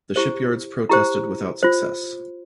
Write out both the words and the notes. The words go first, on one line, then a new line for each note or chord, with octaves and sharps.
The shipyards protested without success.
E4 G4 C5
E4 G4 C5 A#5
F4 C5